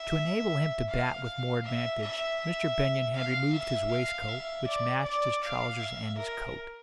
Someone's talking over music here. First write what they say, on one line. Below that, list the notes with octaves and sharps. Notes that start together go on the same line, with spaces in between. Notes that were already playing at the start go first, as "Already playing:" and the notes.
To enable him to bat with more advantage, Mr. Benyon had removed his waistcoat, which matched his trousers and his coat.
Already playing: E5
F5
E5
E5
E5
F5
E5
F5
E5
D5
D5
F5
E5
A#4